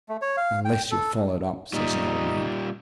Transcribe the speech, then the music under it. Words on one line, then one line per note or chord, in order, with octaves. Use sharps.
'Unless you're followed up,' says the old man.
A3
C#5
F5
G5
A4
A#2 G3 D#4